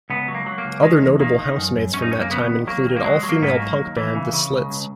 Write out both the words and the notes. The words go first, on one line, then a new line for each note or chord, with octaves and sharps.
Other notable housemates from that time included all female punk band The Slits.
C#2 B3
F#3
A#3
F#3
A#3
C#2
D#3 G#3
E2
D#3 A#3
D#3
F#2
F#2
F#2 C#4
D#4
F#2 C#4
A#3
C#3 B3
D#2
F#3 A#3
D#2
A#3
F#3 G#3
F#3
A#3
G#2 B3
A#3
F#3
D#2
E3
C#3
C#3
C#2
C#2